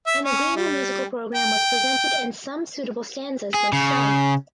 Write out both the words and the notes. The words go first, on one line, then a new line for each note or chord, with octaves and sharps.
An agreeable musical program was presented and some suitable stanzas were sung.
E5
C#4
G3
G5
G#4
C#3